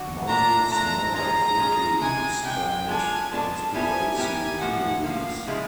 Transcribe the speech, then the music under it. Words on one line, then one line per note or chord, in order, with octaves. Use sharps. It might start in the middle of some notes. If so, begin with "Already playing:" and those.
Murrell's murder quickly spawned conspiracy theories.
Already playing: D3 F#3 F#4
A3 D4 F4 A#5
A3 D4 F4 A#5
F3 G#3 C#4 F4 G#4 A#5
F3 G#3 C#4 F4 G#4
C3 E3 G#3 G#5
C3 E3 G#3 G5
G#3 B3 D4 F4 A4 G#5
G#3 B3 D4 F4 A4 A5
G3 B3 E4 G4 A#4 G#5
G3 B3 E4 G4 A#4 G#5
A2 F3 A#3 F#5
A2 F3 A#3 F5
C#3 F3 G#3 C#4 E4